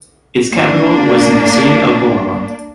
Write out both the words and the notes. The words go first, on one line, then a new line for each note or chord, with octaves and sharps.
Its capital was in the city of Bolama.
A#3 D4